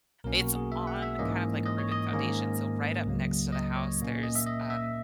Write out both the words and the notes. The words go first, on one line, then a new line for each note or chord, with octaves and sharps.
it's on kind of, like, a ribbon foundation, so, right up next to the house, there's, um,
B1 B2 A#3 C#4 A#4
F#4
G#4
E5
F#5
E5
G#2 E3 A#3 C#4 D#5
D#5
C#5
D#5
G#2 D#3 A#3 C#4
C#2 C#3 F#3 A#3
D#5
C#5
A#2 A#3 C#4
D#5
E5
D#5
E5